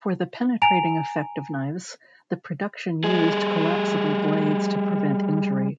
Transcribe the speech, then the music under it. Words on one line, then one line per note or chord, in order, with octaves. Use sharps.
For the penetrating effect of knives, the production used collapsible blades to prevent injury.
G#5 A#5 D7 F7
G3 G#4